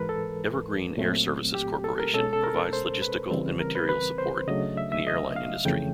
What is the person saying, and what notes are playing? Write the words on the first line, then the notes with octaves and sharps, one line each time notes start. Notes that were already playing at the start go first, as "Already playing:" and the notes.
Evergreen Air Services Corporation provides logistical and material support in the airline industry.
Already playing: G#2 E3 G#3 A#4 B4
A4
A#2 F#3 A3 C4
G4
A4
A#4
B2 G#3 C#4 A4
A4
A#4
C5
B4
C#3 E3 G3 C4
A#4
B4
B4
C5
C#3 F#3 A3 D4 D#5
E5
E5
D#5
F5
F2 C#3 E3 A3 G5